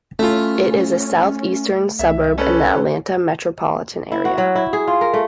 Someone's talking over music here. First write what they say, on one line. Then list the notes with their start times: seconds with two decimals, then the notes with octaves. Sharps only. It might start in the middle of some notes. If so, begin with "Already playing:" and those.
It is a southeastern suburb in the Atlanta metropolitan area.
0.19 A3 C#4 E4 F4
1.99 C2 E5
2.38 C#4 A4 B4
4.12 E4
4.25 F#4
4.38 F#3
4.55 E4
4.73 G#4
4.87 F4
5.01 A#4
5.13 A3